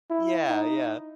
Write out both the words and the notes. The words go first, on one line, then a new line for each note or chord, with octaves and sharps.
Yeah, yeah.
E4
D#4